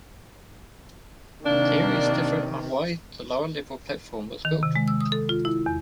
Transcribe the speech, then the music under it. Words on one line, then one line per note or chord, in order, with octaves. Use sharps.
Theories differ on why the lower level platform was built.
C3 D#3 A#3 D4
D#3
C3
G#3
E6
D#6
A4
F4
E4
E2